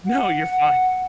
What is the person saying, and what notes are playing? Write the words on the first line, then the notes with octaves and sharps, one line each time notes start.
No, you're fine.
F#5